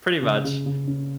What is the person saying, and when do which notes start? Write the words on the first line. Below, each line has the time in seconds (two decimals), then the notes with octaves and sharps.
Pretty much.
0.22 C#3
0.44 C#3
0.66 C#3
0.87 C#4